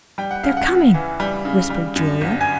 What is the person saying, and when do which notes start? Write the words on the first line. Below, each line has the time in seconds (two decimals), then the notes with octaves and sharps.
"They're coming," whispered Julia.
0.18 G3 G5
0.31 F#5
0.43 C#3 F5
0.57 F#5
0.69 C#2
0.94 E3
1.20 G3
1.45 C#3
1.70 G3
1.96 F#2
2.21 G1
2.41 G#5